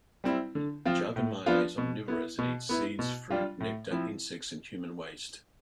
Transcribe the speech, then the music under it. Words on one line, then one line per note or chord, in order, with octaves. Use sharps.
The Javan myna is omnivorous and eats seeds, fruit, nectar, insects and human waste.
G3 C4 E4
D3
F3 C4 F4
A2
F3 B3 D4 F4
B2
B3 E4
B2
B3 E4
B2
G3 D4 F4
A2
F3 C4 E4